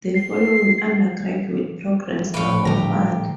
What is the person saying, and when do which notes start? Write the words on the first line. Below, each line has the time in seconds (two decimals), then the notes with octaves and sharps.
The following undergraduate programmes are offered.
0.15 C7
2.34 A#1 A2 B4 C#5 F5 G5
2.65 D3 E3 G3 G4 A#5